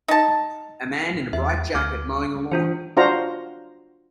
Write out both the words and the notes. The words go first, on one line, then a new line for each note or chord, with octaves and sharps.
A man in a bright jacket mowing a lawn.
D#4 A5
E2 E5
A6
D2 D6 F6
E3 D4 F4 C5
D4 F4 F#4 C5 F5 A#5